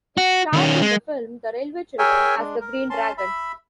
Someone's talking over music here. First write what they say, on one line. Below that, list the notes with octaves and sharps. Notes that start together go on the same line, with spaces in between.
It starred in the film "The Railway Children" as the "Green Dragon".
F#4
D#3 C#4
G#3
G#4 A#4 C#5 E5 G5 G#5
G#3 D4
A#4
C#4 A5 C6
E5 B5